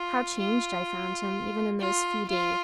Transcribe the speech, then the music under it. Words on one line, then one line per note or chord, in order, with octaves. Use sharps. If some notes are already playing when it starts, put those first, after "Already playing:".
How changed I found him, even in those few days!
Already playing: F4
F4
F4
F4